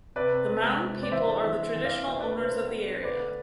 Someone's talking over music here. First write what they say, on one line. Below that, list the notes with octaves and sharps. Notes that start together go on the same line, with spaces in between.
The Maung people are the traditional owners of the area.
C3 B4 D5
C4
C3
G#3
C3
C4
D5
E3 C5 E5
D4
E3
B3
E3
D5 F5
D4
B2 C5 E5
B4 D5
D4
B4
B2 C5
B3
B2
D4
C5
D3 B4 D5
A3